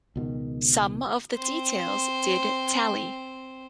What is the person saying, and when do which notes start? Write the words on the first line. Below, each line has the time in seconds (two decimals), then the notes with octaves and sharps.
Some of the details did tally.
0.16 C#2 B2 D#3
1.36 C4 C5